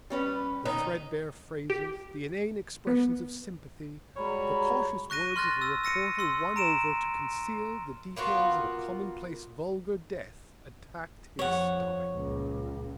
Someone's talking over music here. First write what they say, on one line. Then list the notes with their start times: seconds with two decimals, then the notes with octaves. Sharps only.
The threadbare phrases, the inane expressions of sympathy, the cautious words of a reporter won over to conceal the details of a commonplace vulgar death attacked his stomach.
0.10 G3 C#4 B4
0.65 D#3 D#4
1.70 G4
2.87 B3
4.17 G3 G#3 F#4 C#5 A#5 B5
5.10 C#6 F#6 A#6 D#7
5.36 C6 F6 F#6 A6 A#6
5.62 E6
5.84 E6 A#6 C#7 D#7
6.19 C6 E6
6.56 A#5 D7 E7
8.16 A#3 B3 F4 F#4
11.39 F2 C#5 F#5
12.12 C#2 A#2